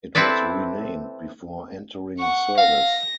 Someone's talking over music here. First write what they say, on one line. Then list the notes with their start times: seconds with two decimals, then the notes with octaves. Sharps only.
It was renamed before entering service.
0.15 C4 E4 A4 B4 D5
2.19 F#5 C#6
2.58 F5 A#6